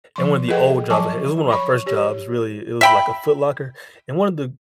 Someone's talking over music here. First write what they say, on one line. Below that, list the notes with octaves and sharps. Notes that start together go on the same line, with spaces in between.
in one of the old jobs I had- It was one of my first jobs, really.- It was, like, a Foot Locker, and one of the
F3 C6
G#4 A4 B4 D#5 F#5 G5
F3 F#3 G#5 A5 C#6 D6
C#5 B5 C#6
G4 C#5
E5 G5 B5